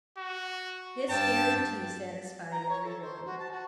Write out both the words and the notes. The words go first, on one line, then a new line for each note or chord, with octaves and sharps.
This guarantee satisfied every one.
F#4
G2 G5 A5
A#5
C#5
A4
C5
F#4
A5
F#4